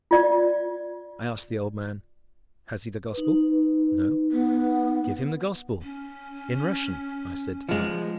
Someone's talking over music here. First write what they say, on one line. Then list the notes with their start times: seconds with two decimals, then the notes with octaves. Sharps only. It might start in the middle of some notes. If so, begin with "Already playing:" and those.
I asked the old man, "Has he the Gospel?" "No." "Give him the Gospel in Russian," I said to the monk.
0.11 F4 D5
3.13 D#4 B4
4.32 B3
5.82 C#4
7.69 F3 G#3